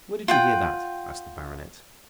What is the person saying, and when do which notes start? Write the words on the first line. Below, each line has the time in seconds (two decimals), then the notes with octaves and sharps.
"Where did you hear that?" asked the Baronet.
0.28 F4 F#5 G5